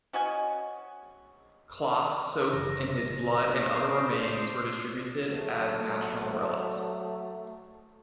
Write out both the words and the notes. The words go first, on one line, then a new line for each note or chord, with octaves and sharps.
Cloth soaked in his blood and other remains were distributed as national relics.
C#4 F#4 D#5 G#5
F#1 C#3 E3 A#6
D4 C5
F#3 A3